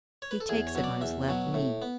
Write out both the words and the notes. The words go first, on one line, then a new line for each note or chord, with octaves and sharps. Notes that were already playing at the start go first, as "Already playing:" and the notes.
He takes it on his left knee.
C#5
B4
A4
E2 G#4
C#5
B2 F#3
D5
E2 E5
B2 F#3
A2
B3